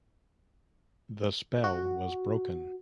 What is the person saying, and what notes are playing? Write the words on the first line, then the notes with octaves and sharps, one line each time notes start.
The spell was broken.
F#4